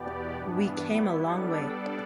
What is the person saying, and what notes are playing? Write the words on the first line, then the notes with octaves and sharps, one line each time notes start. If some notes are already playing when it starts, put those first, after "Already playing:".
We came a long way.
Already playing: E2 B2 B3 G4 D5
G2 E3 B3 D4
G3 B3 E4
G3 B3 D4 A4 D5